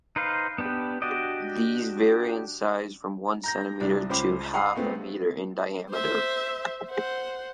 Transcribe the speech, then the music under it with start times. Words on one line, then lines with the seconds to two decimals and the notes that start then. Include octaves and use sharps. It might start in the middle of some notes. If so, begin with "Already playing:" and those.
These vary in size from one centimetre to half a meter in diameter.
0.16 D#4 B4 C5 F5
0.58 B3 D4 G4
1.02 D4 F#4 G4 D5 D#5
3.44 A#5 G6 A#6
3.80 C2 D4
4.10 C#2 C#4 C5 B5 D6
4.54 F5 F#5 B5 D#6 C7
4.75 G#3 A3 B3 C4
5.90 C5 E5
6.90 C5 F#5